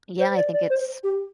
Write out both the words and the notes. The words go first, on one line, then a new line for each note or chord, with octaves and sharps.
yeah, I think it's
C5
D5
D5
C5
G4